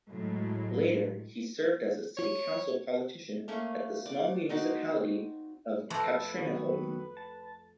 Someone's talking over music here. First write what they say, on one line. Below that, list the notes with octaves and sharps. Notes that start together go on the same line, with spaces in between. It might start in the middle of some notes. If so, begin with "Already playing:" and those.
Later, he served as a city council politician at the small municipality of Katrineholm.
A2 F#3 G#3
C#5
A3 A#3 C#4
D5
C4 D#4 F#4 D5
F2 A3 A4 B4 A#5 B5
D#3 F#3 B3
A5